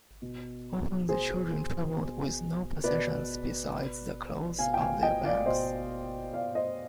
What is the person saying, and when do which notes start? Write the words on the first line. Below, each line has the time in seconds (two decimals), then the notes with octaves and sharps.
Often the children traveled with no possessions besides the clothes on their backs.
0.22 B2
1.09 B2 G#4 C5
1.97 B2
2.84 B2 B4 D5
3.71 B2
4.59 B2 F5 G#5
4.74 G5
4.81 F5 G#5
5.03 D#5 G5
5.24 D5 F5
5.46 B2 C5 D#5
6.34 B2 D5 F5
6.55 C5 D#5